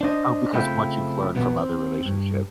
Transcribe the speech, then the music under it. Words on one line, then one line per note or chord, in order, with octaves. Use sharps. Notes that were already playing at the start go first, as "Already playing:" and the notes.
Oh, because what you've learned from other relationships.
D4 C5 D#5
C#3 A3 C4 E4 F4 G5
B1 B2 E3 B3
C4
G2